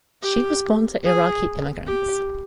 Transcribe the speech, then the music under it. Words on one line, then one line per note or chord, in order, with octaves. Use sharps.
She was born to Iraqi immigrants.
G4
G#4
G4